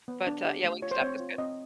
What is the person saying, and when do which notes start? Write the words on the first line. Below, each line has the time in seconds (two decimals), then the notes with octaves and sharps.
But, uh, yeah, Wingstop is good.
0.08 B3
0.27 D4
0.45 G4
0.64 A3
0.82 F4 C#5
0.91 C5
1.01 C4 C#5
1.20 F4
1.38 C4 D#5